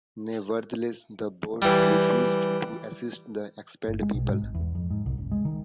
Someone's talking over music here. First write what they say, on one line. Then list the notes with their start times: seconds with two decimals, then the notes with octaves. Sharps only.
Nevertheless, the Board refused to assist the expelled people.
1.62 E3 G3
3.88 G1
4.01 G#3
4.14 B1
4.29 G#2
4.42 G#1
4.54 E2
4.75 F2
4.90 G#2
5.06 C2
5.18 F#1
5.31 G#3
5.45 D#3